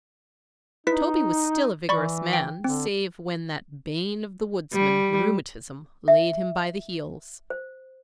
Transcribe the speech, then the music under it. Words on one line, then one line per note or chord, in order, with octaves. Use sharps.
Toby was still a vigorous man save when that bane of the woodsman, rheumatism, laid him by the heels.
D#4 E4 B4 B6
E3 D5 B5 C#6
G5
D3 C4
G3
E5
C5